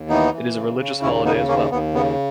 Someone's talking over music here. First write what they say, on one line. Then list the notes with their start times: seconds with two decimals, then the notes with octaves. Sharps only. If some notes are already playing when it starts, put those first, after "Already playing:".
It is a religious holiday as well.
Already playing: D#2
0.09 E3 B3 D#4
0.33 E3
0.55 C#3
0.79 C#3
1.02 D#2 C#4 E4
1.25 C#3 B3 D#4
1.48 D#2 A#3 C#4
1.71 D#2 B3
1.94 C#3 B3